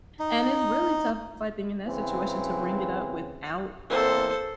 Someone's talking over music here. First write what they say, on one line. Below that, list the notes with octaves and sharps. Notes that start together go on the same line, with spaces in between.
and it's really tough, I think, in that situation to bring it up without,
D#4
C#3 E3 C4
E2 A#3 C4 A4 C5